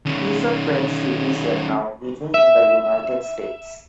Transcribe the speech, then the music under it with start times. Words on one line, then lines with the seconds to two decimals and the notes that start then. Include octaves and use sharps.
He is a French citizen now living in the United States.
0.06 D#3 C#4
2.34 E5